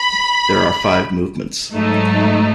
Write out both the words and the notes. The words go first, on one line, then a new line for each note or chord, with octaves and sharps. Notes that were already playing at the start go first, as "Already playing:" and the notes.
There are five movements.
Already playing: B5
G#2 F#3 A3 D#4